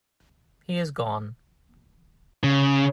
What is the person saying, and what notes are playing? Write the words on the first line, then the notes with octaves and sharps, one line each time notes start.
He is gone.
C#3